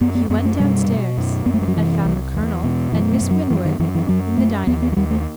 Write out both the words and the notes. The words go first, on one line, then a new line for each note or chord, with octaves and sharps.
He went downstairs, and found the Colonel and Miss Winwood in the dining-room.
F#2 B3
B3
F#2 B3
A3
B2 G3
B2
F#2
F#2 B3
A3
G3
F#3
C3 E3
C2
E2
B2
F#2 E3
A3
F#2
F#3
F#2 E3
D#3
F#2 E3
E3
F#2 F#3
F#2 A3
D#2 B3
B3
F#3
D#2 G3
A3